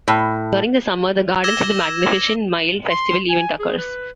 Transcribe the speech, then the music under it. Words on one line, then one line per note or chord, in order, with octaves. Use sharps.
During the summer, the "Gardens of The Magnificent Mile" festival event occurs.
A2
D6 E6 G#6 A#6 E7 G7
C6
G#5
G#4
B4